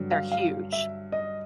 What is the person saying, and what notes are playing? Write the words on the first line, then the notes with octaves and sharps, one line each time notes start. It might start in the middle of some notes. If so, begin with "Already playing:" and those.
They're huge.
Already playing: G2 D3 F#3
F5
F5
E5
D#5